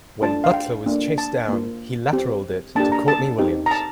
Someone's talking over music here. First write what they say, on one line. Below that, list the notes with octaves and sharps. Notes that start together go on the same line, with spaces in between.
When Butler was chased down, he lateraled it to Courtney Williams.
A3 D4 F4 A5
F5
G5
A#3 D4 F4
A5
A#3 F4
C4 G4
A#3 D4 G4 A5
A#5
A5
C4 D#4 G4
A#5
A5